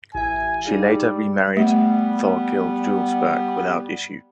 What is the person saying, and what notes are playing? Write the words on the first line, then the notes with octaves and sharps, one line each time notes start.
She later remarried Thorkild Juelsberg, without issue.
A1 E5 G#5
G3 D#4 G#4 F5
G3 A3 B3